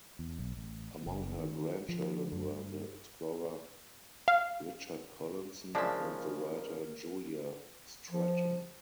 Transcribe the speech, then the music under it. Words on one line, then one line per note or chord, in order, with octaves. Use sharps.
Among her grandchildren were the explorer Richard Collinson and the writer Julia Stretton.
E2
B1
A1
F#1
D#3
F3
F#2
G2
F5
C#3 F3 G#3 D4 A#4 E5
F3